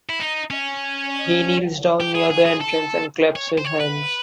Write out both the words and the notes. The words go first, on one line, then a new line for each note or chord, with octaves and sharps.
He kneels down near the entrance and claps his hands.
E4
D#4
C#4
G4
G#4
G#4
G#4
A4
C#5
C5
C#5
B4